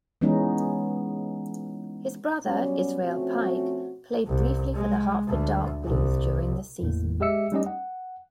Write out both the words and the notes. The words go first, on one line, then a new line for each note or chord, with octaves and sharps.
His brother, Israel Pike, played briefly for the Hartford Dark Blues during the season.
E3 G#3 B3 C#4 D#4
F#3 G3 B3 C#4
F3 A3 C4 C#4 F#4
C2
G#3
D2
C2
G1 E2 A2 A#3
G#3 G4 D#5 E5 E6 C#7
G3 A3 C#4 D#4 G4 D#5
F#5